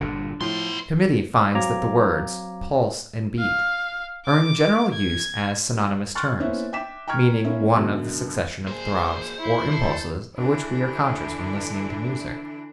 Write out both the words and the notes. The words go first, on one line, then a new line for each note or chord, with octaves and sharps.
The Committee finds that the words: Pulse and Beat are in general use as synonymous terms, meaning one of the succession of throbs or impulses of which we are conscious when listening to music.
G1 A#2 D3
A2 F3 B3 C6
F#3 C4 F5 A#5 D6 G#6
F5
D6
G#6
C6 C#6 F6 F#6 A6
A#3 B3 C#4 E4 C5 E5
E5 G5 D6 B6 E7
G5 A#5 C#6 F6 G#6
A#3 C#4 E4
F#2 B2 D3
A#3 G#4 C5
E4
A4
D3 E3 D4 E4